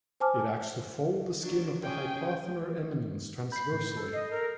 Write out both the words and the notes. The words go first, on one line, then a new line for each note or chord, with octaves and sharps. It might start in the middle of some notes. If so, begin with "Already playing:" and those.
It acts to fold the skin of the hypothenar eminence transversally.
C5 G#5 A5 D6 F6
F#3 D4
C#4 G#4 G5
B5 G6 C7
A2
A4
D#5 C7
A#4